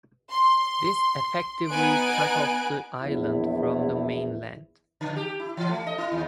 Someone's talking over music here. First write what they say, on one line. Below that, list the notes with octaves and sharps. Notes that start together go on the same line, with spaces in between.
This effectively cut off the island from the mainland.
C6
B3 D#4 G#5 F#6 D7
A#1 E2 E4
D3
G4
E4
E3
A3
D#5
E4
D#2